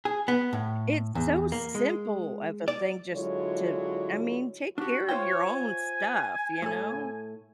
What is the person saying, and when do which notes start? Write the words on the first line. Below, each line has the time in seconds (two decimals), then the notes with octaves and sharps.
it's so simple of a thing just to, I mean, take care of your own stuff, you know.
0.05 G#4
0.28 B3
0.53 A2
1.15 E2
1.52 A#3
1.75 G#3
2.68 D5
3.13 D3 F#3 G#3 E4 F4 C#5
4.78 D4 F#4 G4
5.09 F4 C5 C#5 G5
5.50 G#5
6.62 A2 A4